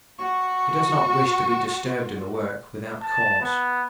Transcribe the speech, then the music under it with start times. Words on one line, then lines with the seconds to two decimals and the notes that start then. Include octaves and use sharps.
He does not wish to be disturbed in the work, without cause.
0.19 F#4 C#6
3.02 A5
3.41 B3